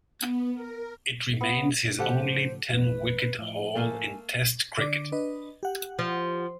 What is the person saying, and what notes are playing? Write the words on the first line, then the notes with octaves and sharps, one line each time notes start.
It remains his only ten wicket haul in Test cricket.
B3
A#4
B3
A2 C#3 F3 G4 A4 C5 F#5
A1 F2 A2 B4
A2 F3
A3 A#3 F5 G#5
D3 D5 D6
D4 B4 D#5
G4 F#5
F3